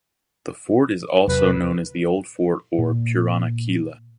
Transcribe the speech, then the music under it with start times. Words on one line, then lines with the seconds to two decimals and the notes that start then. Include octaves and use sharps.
The fort is also known as the Old Fort or "Purana Quila".
1.28 E2 C3 F#3 B4
2.78 A#2